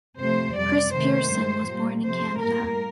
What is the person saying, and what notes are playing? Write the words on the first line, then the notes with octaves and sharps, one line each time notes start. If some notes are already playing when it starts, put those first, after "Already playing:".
Chris Pierson was born in Canada.
C3 F3 A3 C5
F2 C3 G3 D5
C3 D#3 A3 C5
G2 D#3 A3
A#2 G3 A#3
C3 F3 A3 C5
A2 G3 A#3 A#4